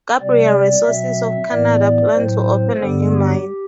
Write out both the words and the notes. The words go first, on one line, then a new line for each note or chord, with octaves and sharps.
Gabriel Resources of Canada plan to open a new mine.
C3 G3 C4 D5
B2 F#3 C4 E5
A2 E3 B3 D5
A2 F#3 C4 C5
G2 D3 G3 B3 A4
G4